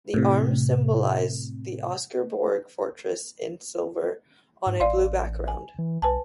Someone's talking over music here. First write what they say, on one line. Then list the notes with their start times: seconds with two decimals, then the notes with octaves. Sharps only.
The arms symbolize the Oscarsborg Fortress in silver on a blue background.
0.14 A2 C3
4.66 G#2
4.80 A1 D5 F5 C6
5.48 G#5
5.79 E3
6.02 B1 B4 G#5 A5